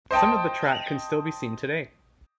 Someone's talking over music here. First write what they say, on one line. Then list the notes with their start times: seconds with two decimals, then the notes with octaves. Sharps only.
Some of the track can still be seen today.
0.11 C5 D#5 G5 A5